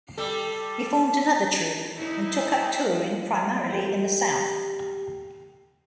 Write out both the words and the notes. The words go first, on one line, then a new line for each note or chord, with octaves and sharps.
He formed another troupe and took up touring primarily in the South.
G3 A4
D#4 E4
G4 G5